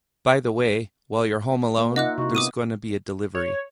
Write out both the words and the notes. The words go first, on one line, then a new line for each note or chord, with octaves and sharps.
By the way, while you’re home alone, there’s gonna be a delivery.
A#3
D#4 F4 D#5 E5 F#5 D6 F#6
C3 E4 F#4
B3 D6 D#6 D#7
C#5